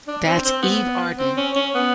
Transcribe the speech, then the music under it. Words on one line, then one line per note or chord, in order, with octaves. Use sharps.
That's Eve Arden.
D4
C4
C4
B3
C4
C#4
C#4
B3